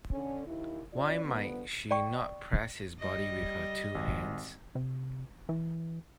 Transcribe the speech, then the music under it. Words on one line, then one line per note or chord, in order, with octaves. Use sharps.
Why might she not press his body with her two hands.
D3 C#4
D#2 E4
C#4 F4 D5
D3 F3 G3 B3
D5 G5 C#6
G3 D#5
G#1
C3
E3